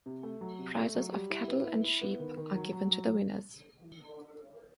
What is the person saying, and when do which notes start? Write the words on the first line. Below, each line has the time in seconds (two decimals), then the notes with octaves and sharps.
Prizes of cattle and sheep are given to the winners.
0.06 C3
0.23 A3
0.41 F#3
0.59 C3
0.76 A3
0.95 F#3
1.12 G3
1.30 E4
1.48 B3
1.65 E4
1.83 E4
2.01 B3
2.20 D#3
2.37 D#3
2.55 F#3
2.73 F#3
2.91 F#3